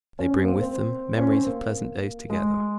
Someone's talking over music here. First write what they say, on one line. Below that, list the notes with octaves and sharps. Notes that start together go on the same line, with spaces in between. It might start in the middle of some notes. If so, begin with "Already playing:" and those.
They bring with them memories of pleasant days together.
C#4
C4
A#3
C4
A#3
C4
C#4
C4
A#3
G#3